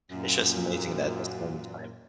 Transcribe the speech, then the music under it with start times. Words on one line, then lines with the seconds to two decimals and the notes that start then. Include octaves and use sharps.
it's just amazing that that's the only time
0.11 F#2 A#2